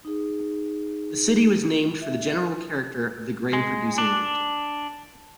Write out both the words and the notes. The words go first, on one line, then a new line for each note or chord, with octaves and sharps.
The city was named for the general character of the grain-producing region.
D#4 G#4
E5
G#3
D4